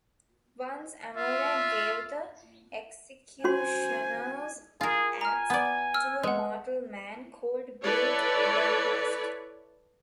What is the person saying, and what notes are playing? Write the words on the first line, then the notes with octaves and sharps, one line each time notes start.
Once, Amora gave the Executioner's axe to a mortal man called Brute Benhurst.
F4 E5
C#4 F#4 C5 G#5 C6
F4 G#4 A#4
G#5 A#5 F6
B3 D5
E6 F6
G#3 B4 F#5
E4 A4 B4 C#5 D5